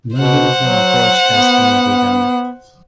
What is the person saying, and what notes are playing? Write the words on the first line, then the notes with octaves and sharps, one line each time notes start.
No uniform approach has been agreed on.
B2 C5 F#5
F#3
B3